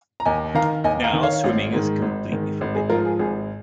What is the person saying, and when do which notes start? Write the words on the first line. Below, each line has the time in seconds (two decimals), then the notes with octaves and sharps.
Now swimming is completely forbidden.
0.20 A#5
0.25 D#2 D#5 G#5
0.55 D#3 F5 A#5
0.84 D#2 D#5 G#5
1.04 F5 A#5
1.13 D#3
1.23 C#5 F5
1.44 G#1
1.73 G#2 D#3
2.02 G#1
2.32 G#2 D#3
2.61 G#1
2.75 G#4
2.90 G#2 F3 F4 A#4
3.05 G#4
3.19 G#1 G#4